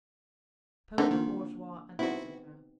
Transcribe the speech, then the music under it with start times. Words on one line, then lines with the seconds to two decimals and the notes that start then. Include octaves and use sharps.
Poet, Bourgeois, and Philosopher.
0.98 D3 A3 C4 D#4
1.11 D#3 A#3 F4
1.99 B3 C4 D#4 E4 F#4